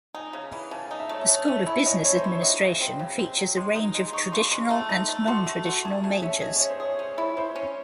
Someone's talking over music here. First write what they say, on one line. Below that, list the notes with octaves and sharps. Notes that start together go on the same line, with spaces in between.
The School of Business Administration features a range of traditional and non-traditional majors.
D#4 G#5
C#3
E3
C#3 A5
G#5
D#4
E5
A3
C#5
A3 C#5
C#4 E5
E4 C#5
C#4 D#5
A3 C#5
C5
E4 C#5
F#3 D#5
C#3
C4
C#3
C4
F#3
G#3 C6
D#4
G#3
D#4 C#6
C#3 C6
G#3 C6
A3
D#4
A3
F#4 C6
A3
F#4
C6
G#4 A5
A3 G#5
C#4 E5
G#4 D#5
C#5
C#4
C5
G#4 C#5
C#4 C5
E4 C#5
E4 C5
C#4